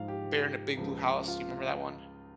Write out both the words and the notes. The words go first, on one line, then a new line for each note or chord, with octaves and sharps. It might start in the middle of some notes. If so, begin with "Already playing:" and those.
Bear in a Big Blue House, do you remember that one?
Already playing: G#2 F3 G#3 F5
G4
C#2 C#3 F3 G#3
F4